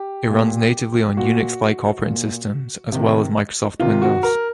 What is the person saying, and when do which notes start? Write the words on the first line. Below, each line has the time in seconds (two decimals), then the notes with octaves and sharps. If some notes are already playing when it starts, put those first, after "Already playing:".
It runs natively on Unix-like operating systems as well as Microsoft Windows.
Already playing: G4
0.30 A#2
1.17 A#2 F#4
2.04 A#2
2.92 C3 D#3
3.80 C3 D#3 F4
4.02 F#4
4.23 A#4